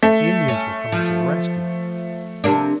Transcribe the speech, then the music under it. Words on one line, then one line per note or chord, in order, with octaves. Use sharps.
The Indians were coming to the rescue!
A3
C#4
F3
C3 A#3 D4